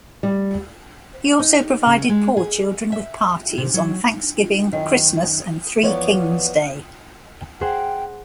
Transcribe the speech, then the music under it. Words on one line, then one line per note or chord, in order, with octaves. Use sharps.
He also provided poor children with parties on Thanksgiving, Christmas and Three Kings Day.
G3
D#4
C#3
G#3
G#4
E5
C3
F#3
F#2 D#3
E2 F3 B3 C#5 D5
G#4 C5 F#5 G5